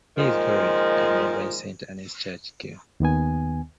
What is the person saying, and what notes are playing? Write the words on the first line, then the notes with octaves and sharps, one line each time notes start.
He is buried at nearby Saint Anne's Church, Kew.
A#2 D#3 F3 G#3
D#2 D#3 B3 G#5